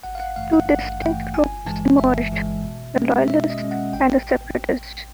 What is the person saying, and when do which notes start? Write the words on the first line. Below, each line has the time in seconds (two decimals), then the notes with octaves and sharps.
Two distinct groups emerged: the "loyalists" and the "separatists".
0.03 G#1 F#5
0.15 F5
0.20 F#5
0.36 G2 E3 A3 F5
0.53 F#5
0.69 G#1 F#5
1.02 G2 E3 A3 G5
1.33 G1 G#5
1.66 G2 E3 G#3 A5
1.98 G1 E5
2.31 G2 E3 G#3
2.64 B2
2.96 G#3 C#4
3.28 B2 E5
3.50 D#5
3.60 G#3 C#4
3.71 F#5
3.93 A1 G5